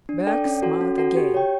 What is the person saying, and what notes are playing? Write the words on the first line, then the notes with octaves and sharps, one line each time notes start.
Berg smiled again.
D4
A4 D5 G5
C#4
F#4 A4
C#4
F#4 A4
G4
C#5 G5